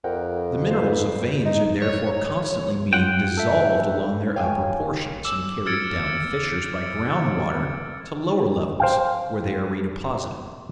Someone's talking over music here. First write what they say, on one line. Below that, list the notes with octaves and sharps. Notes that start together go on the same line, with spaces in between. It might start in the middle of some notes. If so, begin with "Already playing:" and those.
The minerals of veins are therefore constantly being dissolved along their upper portions and carried down the fissures by ground water to lower levels, where they are redeposited.
F2 A#4 F#5 G5
B4 C5
D#4
C#5
F4 F#5 G5
A4 E5
C#5 F5 G5 G#5
D6 E6 E7
E6 F6 G#6 A6 C#7 D7
C5 F5 G5